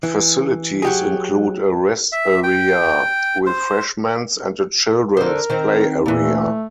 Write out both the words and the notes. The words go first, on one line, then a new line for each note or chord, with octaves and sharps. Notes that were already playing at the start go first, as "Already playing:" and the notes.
Facilities include a rest area, refreshments and a children's play area.
E3
F#3 G4 G#4
E5
G5
C5
D3 A#4 C5
D#3 C4 D#4
A#2 E3
A3